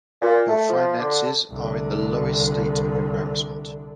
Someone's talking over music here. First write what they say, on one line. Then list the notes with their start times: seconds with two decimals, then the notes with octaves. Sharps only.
Your finances are in the lowest state of embarrassment.
0.21 A#2
0.48 A3
0.68 F3
0.99 D3
1.50 C2 D3